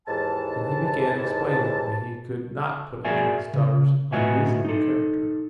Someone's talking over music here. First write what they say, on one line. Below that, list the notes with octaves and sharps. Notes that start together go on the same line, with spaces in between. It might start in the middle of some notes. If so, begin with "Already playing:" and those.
And he began explaining why he could not put up with his daughter's unreasonable character.
D#2 G#2 E3 A5
F#4 G#4 A#4 D5 E5 G#5
C#3
A2 F#4 B4 D#5 E5 G#5
D#4 A4